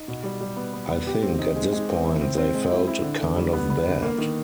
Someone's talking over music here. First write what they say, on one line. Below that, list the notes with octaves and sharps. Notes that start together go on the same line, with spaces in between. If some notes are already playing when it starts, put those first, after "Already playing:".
I think at this point they felt kind of bad.
Already playing: D#4
B2
G3
G3
B3
B3
B3
G4
C4
D#4
G#3
G#3
C4
E4
C4
C4
G#3
E4
E4
D3
D3
G3
B3
B3
D3
A#3
D#3